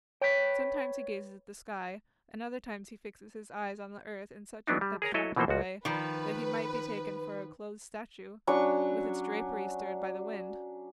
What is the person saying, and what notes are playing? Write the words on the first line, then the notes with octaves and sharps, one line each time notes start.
Sometimes he gazes at the sky, at other times he fixes his eyes on the earth in such an abstracted way that he might be taken for a clothed statue, with its drapery stirred by the wind.
B4 C#5 G5
E3 F#3 B3 D4 D#4
G3
G#4 A#4 C#5 A#5
F#3 E4 A4 C#5 D#5
B2 E3 F3 A#3 A4 C5
C#2 F3 F#4
D#3 F3 B4
F#3 C#4 D4 C#6